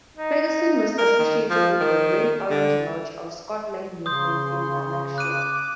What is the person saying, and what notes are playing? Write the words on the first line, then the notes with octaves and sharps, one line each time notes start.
Ferguson was associated with the Grand Orange Lodge of Scotland movement in Lanarkshire.
D#4
A#4
D#3
F3
D#3
D3
C#3 C6 D#6 G6
D6 F#6 D#7